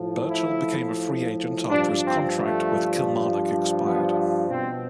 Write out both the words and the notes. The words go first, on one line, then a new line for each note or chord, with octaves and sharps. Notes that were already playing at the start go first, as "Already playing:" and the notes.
Burchill became a free agent after his contract with Kilmarnock expired.
Already playing: A2 F3
E4
G2 F3 D4
C4
A3
B3
B2 C4